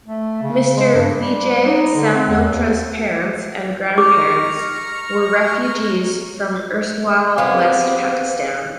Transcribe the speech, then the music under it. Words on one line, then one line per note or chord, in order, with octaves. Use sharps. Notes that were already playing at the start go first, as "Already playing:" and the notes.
Mr Vijay Samnotra’s parents and grandparents were refugees from erstwhile West Pakistan.
A3
C#3
G#3
G2
G3
D#4
D3
C4
E2
D#2
G4 A#5 C#6 D6 F6
B3 C4 G4 G#4 F5